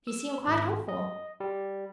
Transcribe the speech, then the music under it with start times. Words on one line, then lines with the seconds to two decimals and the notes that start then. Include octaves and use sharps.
He seemed quite hopeful.
0.07 E6
0.47 G#1
0.89 D#5
1.40 G3